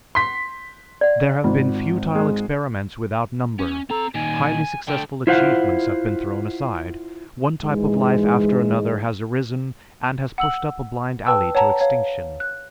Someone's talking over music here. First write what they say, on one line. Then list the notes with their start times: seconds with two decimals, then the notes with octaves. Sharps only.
There have been futile experiments without number; highly successful achievements have been thrown aside; one type of life after another has arisen and has pushed up a blind alley to extinction.
0.15 C6 B6
1.01 D5 F#5
1.44 G#1 F4
2.15 G#3
3.59 C#4
3.90 C4 A4 A#5
4.14 A#2 D#3 G#5
4.87 D3 A3 G5
5.27 E4 F4 C5 F5 F#5
7.63 G#2 E3 G#3
10.38 F#5 E6 F#7
11.26 B4 G5 A5 E6
11.55 C#5 F#5 A5 A#5
11.81 C#5 F5
12.40 F#6